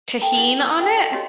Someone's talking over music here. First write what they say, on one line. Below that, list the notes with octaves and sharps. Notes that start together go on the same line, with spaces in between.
tajin on it?
A4 G5 A5 A#5
E4 G#4 A4 F#5
B4 E6
E4 F#4 A4 F#5 G5
A4 D5 D#5
F#4 G4 C#5 D#5 F5 C6